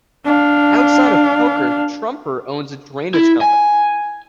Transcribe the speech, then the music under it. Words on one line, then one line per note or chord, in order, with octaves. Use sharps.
Outside of poker, Trumper owns a drainage company.
D4 F5
E4
G#5